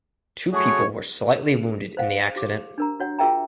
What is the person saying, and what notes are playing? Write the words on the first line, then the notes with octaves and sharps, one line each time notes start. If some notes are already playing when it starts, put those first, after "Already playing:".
Two people were slightly wounded in the accident.
A3 F#4 G#4 C#5
C5 F5 F#5
G4 D6
D4 A#4 A#5
F#4 C#5 F#5
F4 G#4 A#4 E5 G5 A#5